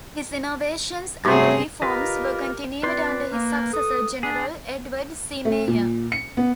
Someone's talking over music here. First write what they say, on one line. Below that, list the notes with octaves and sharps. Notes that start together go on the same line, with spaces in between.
His innovations and reforms were continued under his successor, General Edward C. Meyer.
G2 C3 F#3 A3 C4 G#4 C5
F4 G4 A#4 B4 D#5
C4 F4 B4 D5 C6
A#3
A4 D#6
D4 G#4
A3
A#2
C#7
B3